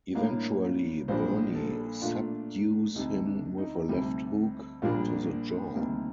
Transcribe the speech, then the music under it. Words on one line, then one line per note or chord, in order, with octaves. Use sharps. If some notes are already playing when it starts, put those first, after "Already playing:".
Eventually Bernie subdues him with a left hook to the jaw.
A2 G3 A#3 D4 F5
A#1 A#2 G3 D4 C5
A4
A#2 A3 D4 F4
D2 C3 G3 D#4
D4
D#4
D2 C3 G3
A#1 A#2 G3 A#3 D4 F4
D2 C3 D#3 G3 A#3